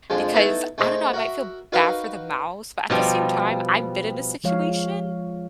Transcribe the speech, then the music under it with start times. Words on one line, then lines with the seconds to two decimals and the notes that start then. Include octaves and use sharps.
Because I don't know, I might feel bad for the mouse, but at the same time, I've been in a situation
0.10 F2 D3 F3 G#3
0.34 A3 B3 D#4 E4 A4
0.78 A3 C4 D#4 G#4 A#4
1.13 F#4 A#4 E5
1.72 D#4 F#4 A#4 B4 F5
2.90 B2 F3 G3
4.44 F3 G#3 C#5 F5